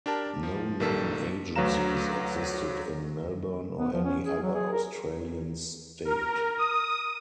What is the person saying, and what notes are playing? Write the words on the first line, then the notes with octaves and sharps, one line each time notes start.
No known agencies existed in Melbourne or any other Australian State.
D4 G4 A#4 A5
F3
A#1 D#3 A#3 A4 B6
D2 F#3 B4 F5 A#5 E7
B3
F3
C#4
G#4
F#3
G#4
A#4
A#4
D#6